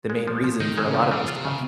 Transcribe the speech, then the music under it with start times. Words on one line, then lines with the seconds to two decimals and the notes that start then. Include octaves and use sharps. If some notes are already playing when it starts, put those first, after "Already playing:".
the main reason for a lot of this stuff.
0.10 G#3
0.28 F3
0.44 F3
0.60 D#3 D#4
0.78 G#3
0.86 C#3
0.94 F3
1.11 C#3 G3
1.28 F4
1.36 C3
1.45 C#3